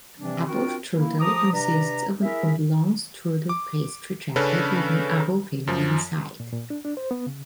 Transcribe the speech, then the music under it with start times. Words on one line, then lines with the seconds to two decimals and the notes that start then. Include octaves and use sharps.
Apple strudel consists of an oblong strudel pastry jacket with an apple filling inside.
0.18 C3 E3 F3 G3 C4 D4
0.48 C4 D4 F4 F#4 A#4 G5
0.95 A#3 E4
1.18 F3 G4 A#5 D6 D#6
1.52 C3 D4 B4 D5 A#5
2.23 E4 G#4 A#4 E5
3.49 D6
4.36 C#3 C#4 D4 A4 B4
5.67 F#2 F3
6.40 A#2
6.52 A#2
6.70 D4
6.85 D4
6.97 C5
7.11 B3
7.27 C#3